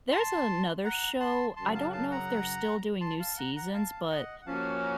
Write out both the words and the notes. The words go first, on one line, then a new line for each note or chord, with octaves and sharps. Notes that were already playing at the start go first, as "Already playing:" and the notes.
there's another show. I don't know if they're still doing new seasons, but
A5 C6
F#5 A#5
A5 C6
F#2 C#3 F#3 A5 C6
F5 A5
F5 A5
F#5 A#5
A5 C6
F5 A5
F#5 A#5
F#5 A#5
F5 A5
D#5 F#5
F#5
F3 A#3 C#4 F#4 F5 A5
F#5 A#5